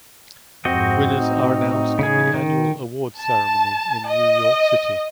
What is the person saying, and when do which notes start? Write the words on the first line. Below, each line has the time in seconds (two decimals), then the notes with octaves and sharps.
Winners are announced at the annual award ceremony in New York City.
0.65 F2 G#2 C4 F#4 D#5
1.17 A2 D#4
1.99 C#3 G#4
2.34 D#3
3.20 A5
4.10 D#5